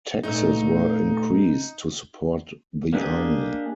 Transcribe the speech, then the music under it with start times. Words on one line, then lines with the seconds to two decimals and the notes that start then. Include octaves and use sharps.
Taxes were increased to support the army.
0.23 E2 A#2 A3 D#4
2.93 A#3 D4 G4 G#4 D#5